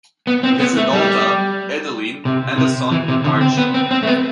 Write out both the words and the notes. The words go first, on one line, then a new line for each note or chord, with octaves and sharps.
He has a daughter, Edieline, and a son, Archie.
B3
C4
B3
A3
G3
C3
C3
E3
C3
D3
C4
B3
C4
C4
A3
B3